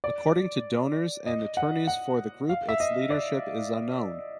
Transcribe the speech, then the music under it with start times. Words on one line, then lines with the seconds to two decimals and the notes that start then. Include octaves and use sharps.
According to donors and attorneys for the group its leadership is unknown.
0.04 D5
1.26 D#5
1.57 F#5
1.87 F#5
2.49 F5
2.69 E5
2.80 D#5
3.10 D5